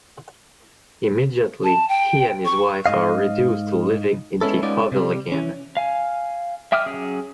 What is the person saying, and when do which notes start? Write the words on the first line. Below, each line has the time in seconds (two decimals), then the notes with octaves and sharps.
Immediately, he and his wife are reduced to living in the hovel again.
1.64 A5
1.89 G5
2.45 C#6
2.86 G#2 C3 D#5 F5
4.41 G#3 B3 C#4 E4 A4
4.63 G#3 B3 C#4 D#4 F4 D5
4.92 C3 G3
5.32 E3 C#4
5.77 F5 G#5
6.72 E5 G5 D6 D#6 F6
6.86 F#3 C#4 G#4